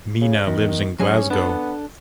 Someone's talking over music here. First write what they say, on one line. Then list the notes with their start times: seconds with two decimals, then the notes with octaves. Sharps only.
Mina lives in Glasgow.
0.21 C#3
0.47 E2 D#3
1.00 F#3 C#4 G#4 D#5
1.30 B3 D4 A4